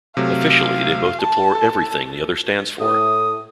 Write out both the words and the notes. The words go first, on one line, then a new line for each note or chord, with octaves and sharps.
Officially, they both deplore everything the other stands for.
C3 F#3 A3 F5
A5
A4
A2 D#6